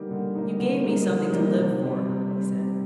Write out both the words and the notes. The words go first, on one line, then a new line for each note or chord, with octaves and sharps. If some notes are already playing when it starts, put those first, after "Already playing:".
"You gave me something to live for," he said.
Already playing: D3 G3 A#3 D#4
D3
G3 A#3 D#4
D3
G3 A#3 D#4
D3
G3 A#3 D#4
C3
G3 C4
C3
G3 C4
C3